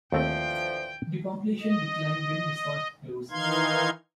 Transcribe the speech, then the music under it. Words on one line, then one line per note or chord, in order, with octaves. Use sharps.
The population declined when this was closed.
D#2 D3 E3 F3 A3 C4 G5
D#5
D#3 E3 D#4 F5 C6 G#6